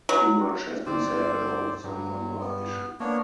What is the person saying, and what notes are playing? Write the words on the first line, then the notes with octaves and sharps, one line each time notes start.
Too much has been said about the number issue.
F#3
G1 C4 C5 D5
G2 F#3
B3
A#3 B3 D4 C#5